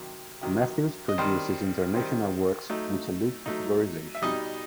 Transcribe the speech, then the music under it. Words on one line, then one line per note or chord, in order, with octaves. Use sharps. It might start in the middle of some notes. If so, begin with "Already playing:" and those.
Matthews produces international works which elude categorization.
Already playing: C3 D#3 F#3
C3 D#3 F#3
D#5
D#3 G3 C4 C5
D#3 G3 C4
F#3 A3 D#4
F#3 A3 D#4
E5
B2 G3 D#4 D#5